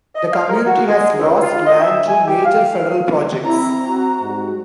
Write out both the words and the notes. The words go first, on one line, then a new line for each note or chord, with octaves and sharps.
The Community has lost land to major federal projects.
D#5
F5
A#4
F#4
G#3
C#2
F4
D#5
E5
G#5
G4
F5
C4 E4 A#5
F#4
G#2 G3 G#3